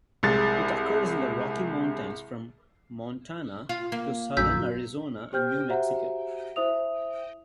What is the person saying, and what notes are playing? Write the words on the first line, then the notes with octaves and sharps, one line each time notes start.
It occurs in the Rocky Mountains from Montana to southern Arizona and New Mexico.
C2 G#3 A6
F4
A#3
A#1 F#2 D3 E6 G6 B6
G4 C5 G5 F6 G6
F#4 G4 C5 E5 F#5 A#5
E4 C5 E5 D#6 F7